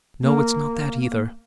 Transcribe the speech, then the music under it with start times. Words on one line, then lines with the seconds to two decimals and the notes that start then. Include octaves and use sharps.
No, it's not that either.
0.23 A#3